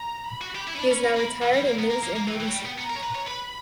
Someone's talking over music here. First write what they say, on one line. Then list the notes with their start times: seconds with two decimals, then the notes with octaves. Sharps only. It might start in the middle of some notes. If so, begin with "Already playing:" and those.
He is now retired and lives in Novi Sad.
Already playing: A#5
0.30 B5
0.41 F#4
0.55 G4
0.67 E4
0.75 C#4
0.79 D4
0.91 C#4
1.04 C#4
1.16 A#3
1.42 E3
1.54 G3
1.66 A#3
1.79 B3 A#5
1.90 A#3
2.03 A#3
2.16 A#3
2.28 E3 G5
2.40 E3
2.46 F#3
2.52 G3
2.65 B3
2.78 B3 A#5
2.90 A#4
2.96 C#5
3.03 B4
3.15 C#5
3.27 B4 B5